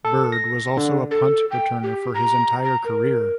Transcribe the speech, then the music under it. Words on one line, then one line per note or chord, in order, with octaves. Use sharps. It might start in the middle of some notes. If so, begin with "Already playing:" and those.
Byrd was also a punt returner for his entire career.
A4
A#6
D3
A4
G5
G4
A#5
A#5
A#4